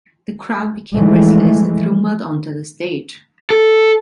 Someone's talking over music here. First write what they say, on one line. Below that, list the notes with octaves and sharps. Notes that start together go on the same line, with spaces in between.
The crowd became restless and threw mud onto the stage.
E3 F3 G#3 A3
A4